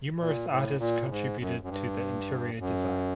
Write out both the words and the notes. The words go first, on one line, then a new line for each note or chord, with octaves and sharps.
Numerous artists contributed to the interior design.
A#2
A2
A#2
A2
G#2
F#2
F#2
G2
F#2